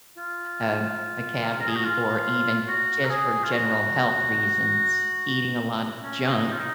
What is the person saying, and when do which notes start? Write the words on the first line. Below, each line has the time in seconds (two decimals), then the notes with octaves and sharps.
um, a cavity, or even just for general health reasons. Eating a lot of junk
0.18 F4
1.60 A#4
1.68 G#4
1.76 F#4
1.84 F4
2.67 F#4
3.05 A#4
3.10 G#4
3.44 F4
3.52 F#4
6.02 C#4
6.30 D#4
6.52 F4
6.59 D#4